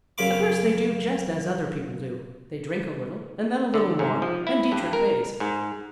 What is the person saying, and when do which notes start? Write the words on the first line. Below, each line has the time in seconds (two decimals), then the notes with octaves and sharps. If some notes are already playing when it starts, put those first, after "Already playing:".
At first they do just as other people do, they drink a little and then a little more, and Dietrich pays.
0.18 F#2 C#3 F5 B5 D6
3.74 D3
3.99 G#2
4.22 F3
4.47 E4
4.72 G2
4.93 A#4
5.40 G#2